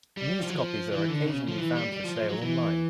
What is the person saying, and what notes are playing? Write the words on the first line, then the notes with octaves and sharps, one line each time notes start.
Used copies are occasionally found for sale online.
G3
F3
F#3
F3
E3
D3
C#3
F3
E3
G3
G3
F3
F3
F#3
E3